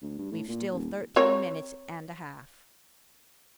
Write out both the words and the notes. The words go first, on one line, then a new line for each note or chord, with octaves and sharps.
"We've still thirteen minutes and a half."
D2
G2
A2
A#2
D#1
C4 A#4 C#5